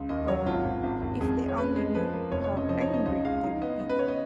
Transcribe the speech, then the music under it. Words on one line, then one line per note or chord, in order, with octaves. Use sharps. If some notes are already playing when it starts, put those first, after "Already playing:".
Oh, if they only knew, how angry they would be!'
Already playing: C#2
D#2 D#5
F#3 C#5
G#1 F4
G#1
G#1
G#1
F2 G#4
F2
C#5
C#4 B4
G#3
F3 B4
A#3
F1 C#5
C#5
C#3
D#5
F3 D#5
C#5
D#4
D#5
C#2 D#5
G#3 F5
D#4
B3 D#5
C#3 D#5
B4
B3 C#5
D#5